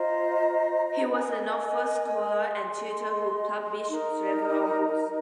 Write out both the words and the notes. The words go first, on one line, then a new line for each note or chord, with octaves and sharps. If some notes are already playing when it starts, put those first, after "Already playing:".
He was an Oxford scholar and tutor who published several books.
Already playing: F4 C5 D#5 A#5
A#4 D#5 G#5
G#4 D#5 C6
D#4 A#4 D#5 A#5